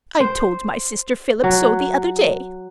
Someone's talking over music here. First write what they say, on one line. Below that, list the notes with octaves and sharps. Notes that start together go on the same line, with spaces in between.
I told my sister Phillips so the other day.
C5
F#3